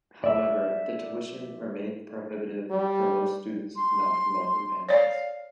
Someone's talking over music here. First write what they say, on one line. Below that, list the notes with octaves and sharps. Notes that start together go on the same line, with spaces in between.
However, the tuition remained prohibitive for most students not from wealthy families.
D5 E5
G3
C6
C#5 D5 F5